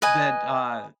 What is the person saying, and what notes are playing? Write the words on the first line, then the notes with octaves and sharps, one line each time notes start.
that, uh,
B4 D#5 G#5